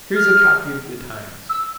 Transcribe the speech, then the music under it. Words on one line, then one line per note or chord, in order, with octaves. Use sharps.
Here is a copy of the Times.
F6
E6